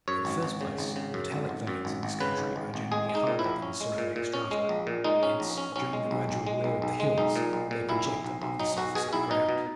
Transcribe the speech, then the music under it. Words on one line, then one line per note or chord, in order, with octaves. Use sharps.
In the first place, metallic veins in this country are generally harder than the surrounding strata: hence, during the gradual wear of the hills, they project above the surface of the ground.
F#2 C#5
G#1
G#1
C#3
G#1
C#3
F#2
G#1
G#1
F#2
G#1
G#1
C#3 B4
G#1
G#1
G#1
G#3 G#4
G#3
D#4
A#2
E4
A#1
C#4
G#3
A#2
A#2
C#4
G#3
A#1
A#2
G#3 D#4
C#4
A#1
C#4
B1 C#4
G#3
B1
B1
G#3
B1
B1
G#3
B1 D#4
A#2
B1
A#2
B1 E4
B1
B1
B1
F#3 D#4
B1 F#4
B2 G#4
B1 E4
B2 D#4
B2